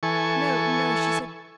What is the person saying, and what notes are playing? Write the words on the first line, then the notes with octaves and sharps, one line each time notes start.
"No, no," she said.
E3 A4 G#5 C#6